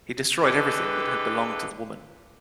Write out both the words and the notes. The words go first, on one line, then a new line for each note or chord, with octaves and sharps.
He destroyed everything that had belonged to the woman.
D3 E3 G#3 G4 A4 B4